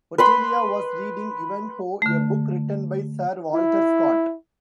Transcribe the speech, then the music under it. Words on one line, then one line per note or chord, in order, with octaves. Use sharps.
Otelia was reading "Ivanhoe", a book written by Sir Walter Scott.
B4 B5 C6
D3 A3
E4